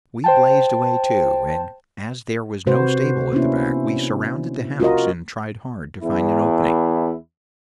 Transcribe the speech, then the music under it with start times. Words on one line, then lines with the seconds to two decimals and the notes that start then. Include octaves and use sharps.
We blazed away too, and as there was no stable at the back we surrounded the house and tried hard to find an opening.
0.24 C5 G5 A5
2.67 C3 F#4 B4 C5
3.33 A#3 B3 C#4 D4 E4
4.80 F4 F#4 A#4 D#5
6.02 E2 E4